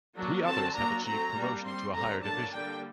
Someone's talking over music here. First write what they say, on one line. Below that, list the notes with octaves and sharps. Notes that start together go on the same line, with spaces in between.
Three others have achieved promotion to a higher division.
F#3 A#3 D4
D3 F#3 C4 A5
F#3 A#3 D4 A#5
F#3 A3 C4 A#5
G3 A#3 D4
G3 C4 C6
D3 G3 C4 A#5
D3 F#3 A#3 D4 A5
D3 G3 A#3 D4 G5